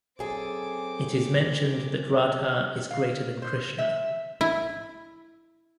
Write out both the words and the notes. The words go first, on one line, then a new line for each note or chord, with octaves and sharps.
It is mentioned that Radha is greater than Krishna.
F#2 C4 G#4 A4 D6
F5
C5
E5
E4